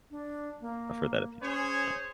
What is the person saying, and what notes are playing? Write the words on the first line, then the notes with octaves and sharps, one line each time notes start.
I've heard that a few times as well.
D4
A#3
C#4 G#4 C5 C#5